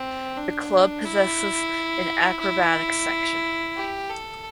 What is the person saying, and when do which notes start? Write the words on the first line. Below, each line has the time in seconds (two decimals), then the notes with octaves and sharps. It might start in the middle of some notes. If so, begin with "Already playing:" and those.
The club possesses an acrobatics section.
Already playing: C4
0.36 D4
1.05 E4
2.40 E4
3.76 G4
4.09 A4